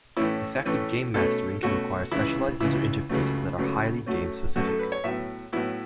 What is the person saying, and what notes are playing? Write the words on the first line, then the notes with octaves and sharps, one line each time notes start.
Effective gamemastering can require specialized user interfaces that are highly game specific.
A2 E3 A3 C#4 E4
A2 E3 A3 C#4
B2 A3 C#4 A4
B2 A3 C#4 F#4
C#2 C#3 E3 E4
C#2 C#3 E3 E4
C#2 C#3 F#3 A3
C#2 C#3 F#3 A3
F#2 F#3 A3 C#4
F#2 F#3 A3 C#4 F#4
A4
B4
C#5
A2 F#3 B3 E5
A2 F#3 B3 E4